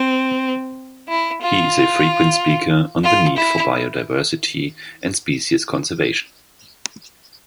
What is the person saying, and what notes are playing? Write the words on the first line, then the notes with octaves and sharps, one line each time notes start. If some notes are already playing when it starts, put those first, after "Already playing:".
He is a frequent speaker on the need for biodiversity and species conservation.
Already playing: C4
E4
F4
F4
E4